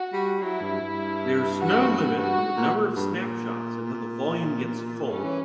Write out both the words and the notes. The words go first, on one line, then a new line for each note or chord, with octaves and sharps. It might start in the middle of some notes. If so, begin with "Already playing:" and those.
There is no limit on the number of snapshots until the volume gets full.
Already playing: F#4
G3
F#3 E4
G2
G2
F#4
G2 F#4
A#2
A#2
G2
A#2
A#2
G2 C#4
E3